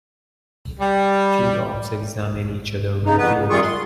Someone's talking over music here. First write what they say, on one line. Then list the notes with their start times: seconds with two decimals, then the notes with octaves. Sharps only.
Two dogs examine each other in a field.
0.80 G3
3.06 C#3 D#4
3.18 F2 B3 B4
3.37 C#3
3.50 F#2 D#3 G3 F4 G#4 C#6
3.64 C6